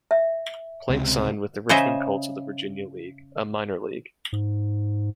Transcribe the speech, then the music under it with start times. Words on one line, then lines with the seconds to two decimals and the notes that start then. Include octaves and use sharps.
Plank signed with the Richmond Colts of the Virginia League, a minor league.
0.11 E5
0.89 C#2 C3
1.69 C#3 C5 D#5 E5
4.33 G#2